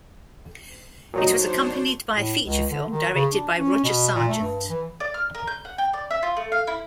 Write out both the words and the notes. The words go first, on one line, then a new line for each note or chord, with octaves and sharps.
It was accompanied by a feature film, directed by Roger Sargent.
A#2 F#3 D4 D#4 F#4 C5 C#5
A2
C#2
D3
D#3
C#3
D4
C#4
B2
A#2
A3
G2
E3
D5
F6
A#4
G6
F#5
G5
D5
E5
F4
A3
F5
E4